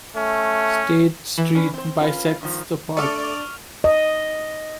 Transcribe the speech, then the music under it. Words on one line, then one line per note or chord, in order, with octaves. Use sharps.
State Street bisects the park.
A3 C#4
E3
C#4 D4 B4
C4 C5
C#4 F4 B4
G2 D#3 F3
A3 D4 A4 D5 C#6 F6 F7
D#5